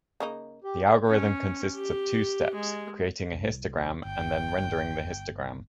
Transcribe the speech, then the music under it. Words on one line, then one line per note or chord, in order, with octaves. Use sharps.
The algorithm consists of two steps: creating a histogram and then rendering the histogram.
C#3 A#3 D#4
G4
C#4
G4
G#3
C2
G1 G5